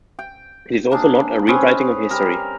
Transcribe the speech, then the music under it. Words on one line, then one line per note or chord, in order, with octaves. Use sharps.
It is also not a rewriting of history.
G5
A#3 D4 G#4
C4 C#4 G#4 B4
G3 A#4